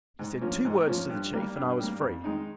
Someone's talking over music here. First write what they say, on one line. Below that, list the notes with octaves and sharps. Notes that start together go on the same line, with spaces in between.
"He said two words to the chief and I was free."
G#2
F3 A#3 C#4
G#2
F3 A#3 C#4
G2
G3 A#3
G2
G3 A#3
F2
D#3 G#3 D#4